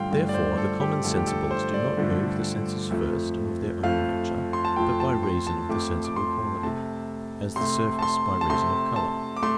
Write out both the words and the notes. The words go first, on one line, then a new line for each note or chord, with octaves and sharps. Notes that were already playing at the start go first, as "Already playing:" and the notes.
Therefore the common sensibles do not move the senses first and of their own nature, but by reason of the sensible quality; as the surface by reason of color.
Already playing: G2 D3 F3 A3 F5 G5 C6
G2 D3 F3 A3
D5
C5
A4
G4
G2 D3 F3 A3 A4
G4
A4
C5
D5
G2 D3 F3 A3
F2 F3 A3
F2 F3 A3 F5
C6
A5
F2 F3 A3 G5
A5
C6
A5
F2 F3 A3 D6
D6
C6
C3 A3 A5
C3 A3 C6
A5
C6
A5
C3 A3 C6
A5
D6
A3 C6